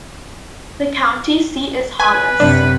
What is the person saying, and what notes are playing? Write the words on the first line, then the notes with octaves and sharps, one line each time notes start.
The county seat is Hollis.
B4 G#5
F#2 C3 D4